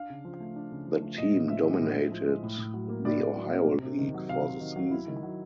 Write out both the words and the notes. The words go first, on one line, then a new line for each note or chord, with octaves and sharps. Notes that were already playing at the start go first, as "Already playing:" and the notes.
The team dominated the Ohio League for the season.
Already playing: D4 F5
C#3
F3
A3
D4
C#3
F3
A3
A2 D#5
A2
F3 E5
G#3
A2
A2
F3
G#3
A2
A2
F#3
A#3
A2 D5
A2
F#3
A#3
C3
C3
D#3
F#3
C3 F5
C3
D#3
F#3
E4
D#3
F#3